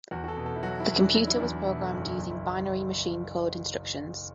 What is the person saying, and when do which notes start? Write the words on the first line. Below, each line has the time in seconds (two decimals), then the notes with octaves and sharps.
The computer was programmed using binary machine code instructions.
0.11 E2 F#4
0.24 F#4
0.28 A4
0.37 B2
0.46 A4
0.56 E4
0.63 F#3 F#4
0.80 E4
0.89 E2
0.97 D4
1.14 F#3 E4
1.23 D4
1.27 E4
1.36 D4
1.40 E2 E4
1.53 D4
1.66 B2 E4
1.78 A4
1.92 F#1 F#4
2.05 E4
2.18 B1
2.31 E4